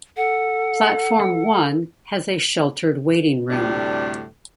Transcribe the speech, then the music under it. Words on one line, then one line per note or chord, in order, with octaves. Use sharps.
Platform One has a sheltered waiting room.
A4 F#5
D2 A2 C3 G3 A3 D4